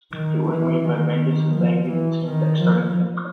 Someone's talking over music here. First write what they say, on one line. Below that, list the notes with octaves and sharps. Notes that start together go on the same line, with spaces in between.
It was made by Bendis and Bagley, the team that started the imprint.
D#3
E3
D#3
F3
E3
D#3
F3